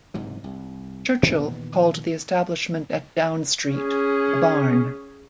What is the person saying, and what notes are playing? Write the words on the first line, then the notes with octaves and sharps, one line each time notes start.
Churchill called the establishment at Down Street "The Barn".
F#1 G#2 C3 E3
C2
A#2 D#3 E3 B3
C#4 G#4